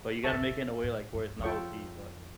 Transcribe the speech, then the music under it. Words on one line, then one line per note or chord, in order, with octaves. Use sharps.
But you gotta make it in a way, like, where it's not OP, but
C#3 A4 E5 A5 C#6
A#2
A2
A#2
A2
G2
E2
F2 F4 A4 C#5 G5 C#6